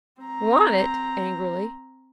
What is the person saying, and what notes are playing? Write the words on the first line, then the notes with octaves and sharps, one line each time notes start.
"Want it?" angrily.
C4 A#5